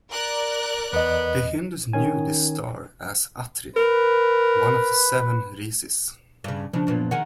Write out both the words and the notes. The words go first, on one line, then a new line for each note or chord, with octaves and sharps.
The Hindus knew this star as "Atri", one of the Seven Rishis.
A#4 D5 F#6
E2 B3 D#5
D#3 C#4 G#5
A#4 B4
G2 C#3
C#3 F3 D4
F#2 A#2 B3
D#3 G#4 F#5